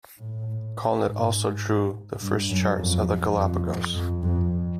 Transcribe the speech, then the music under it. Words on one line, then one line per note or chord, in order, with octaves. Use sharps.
Collnet also drew the first charts of the Galapagos.
A2
G#2
G2
F#2
F2
F2
F2
F2